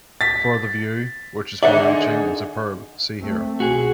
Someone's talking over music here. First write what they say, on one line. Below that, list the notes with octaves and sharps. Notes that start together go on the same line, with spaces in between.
For the view, which is far-reaching and superb, see here.
A6 B6
G#2 D3 D#4 D5 E5 F#5
A3 C4
B1 F#4 G#4